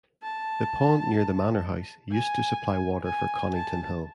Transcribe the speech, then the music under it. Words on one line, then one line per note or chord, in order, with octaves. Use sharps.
The pond near the Manor House used to supply water for Conington Hall.
A5
G#5
G#5
A5